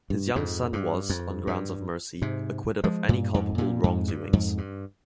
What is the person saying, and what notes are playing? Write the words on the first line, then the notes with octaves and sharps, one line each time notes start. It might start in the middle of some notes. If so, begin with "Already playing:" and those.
His young son was, on grounds of mercy, acquitted of any culpable wrongdoings.
G2
F2 G#2
G2
F2
G2
G#2 C3
F3 G#3
G2 A#2
F2 G#2
G2 A#2
F2 G#2
G2
F2 G#2
G2